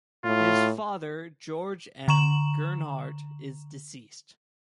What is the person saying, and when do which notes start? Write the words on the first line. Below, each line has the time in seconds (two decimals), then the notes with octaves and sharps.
His father, George M. Gernhardt is deceased.
0.25 A2 F4
2.08 D3 A#5 C#6 E7 F#7